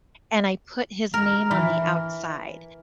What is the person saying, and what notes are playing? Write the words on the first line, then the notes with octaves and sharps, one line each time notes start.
and I put his name on the outside,
A#4
E3